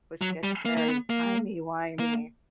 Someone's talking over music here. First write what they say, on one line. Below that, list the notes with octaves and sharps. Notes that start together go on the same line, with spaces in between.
which gets very timey-wimey.
F#3
G3
A#3
A#3
B3
A#3
A#3